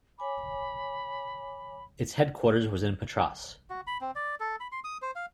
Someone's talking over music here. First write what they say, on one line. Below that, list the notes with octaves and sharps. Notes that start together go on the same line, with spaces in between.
Its headquarters was in Patras.
C#5 G#5 B5 D6
F#4
B5
C4
D5
A4
B5
C6
D#6
C5
F5